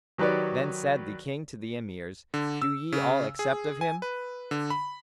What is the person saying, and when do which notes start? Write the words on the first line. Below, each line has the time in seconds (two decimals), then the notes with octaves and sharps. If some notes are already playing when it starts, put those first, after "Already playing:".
Then said the King to the Emirs, "Do ye all accept of him?"
0.18 D#3 F#3 G4 B4 C#5 D5
2.34 D3
2.62 E6
2.92 C#3
3.39 G#4
3.81 G#5
4.02 B4
4.51 D3
4.70 B5